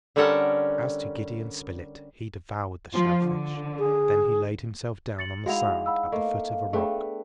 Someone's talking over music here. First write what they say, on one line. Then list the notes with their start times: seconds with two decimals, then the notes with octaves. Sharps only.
As to Gideon Spilett, he devoured the shell-fish, then he laid himself down on the sand, at the foot of a rock.
0.16 D3 G3 C#4 A4 A#4 F#5
2.93 F3 F4
3.23 D3
3.79 G#4
5.19 A6 C#7 F#7
5.46 G#3 D#4 E4 F#4 F5 F#5 F7
5.86 F#5 B5 E6
6.12 A3 A#3 D#5
6.73 A3 B3 D4 G#4 G5